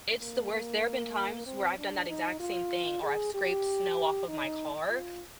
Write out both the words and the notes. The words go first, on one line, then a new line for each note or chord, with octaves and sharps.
It's the worst. There have been times where I've done that exact same thing, or I've scraped snow off of my car,
A#3
A#3
C4
D4
D#4
F4
G#4
G4
D#4
F4